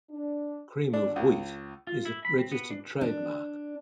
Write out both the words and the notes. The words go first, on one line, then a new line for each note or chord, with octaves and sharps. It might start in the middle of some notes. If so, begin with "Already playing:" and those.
"Cream of Wheat" is a registered trademark.
D4
D4
C#2
F4
E4
B5
C4
B3
D4
D4